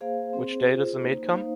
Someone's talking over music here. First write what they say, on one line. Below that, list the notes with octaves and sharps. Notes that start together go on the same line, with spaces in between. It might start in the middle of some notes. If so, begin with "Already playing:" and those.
Which day does the maid come?
A#3 G#4 C5 F5
C4 G#4 C5
F4 G#4 C5
A#3 D#4 C5
A#3 D#4 C5 F5